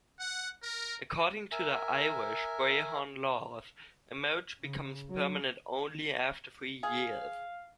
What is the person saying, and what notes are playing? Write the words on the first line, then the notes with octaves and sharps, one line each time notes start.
According to Irish "Brehon Laws," a marriage becomes permanent only after three years.
F#5
A#4
A#4 E5 G#5
C#3
F#3
G#4 F5